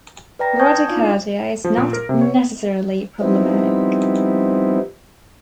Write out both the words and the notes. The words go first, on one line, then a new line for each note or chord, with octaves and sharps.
Bradycardia is not necessarily problematic.
B4 D5 G5 A#5 A#6
G#5 A5 C#6 D#6 G6 G#6
D4 D#4 F4 D5 F5 D6
F3
A#2
A#4
C3
C#5
F3 G3 B3 C4 D#4 E4